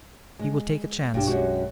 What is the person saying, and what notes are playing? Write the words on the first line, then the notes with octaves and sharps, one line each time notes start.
We will take a chance.
G#3
B1 G2 D4 G4
F#2 G#3 F#4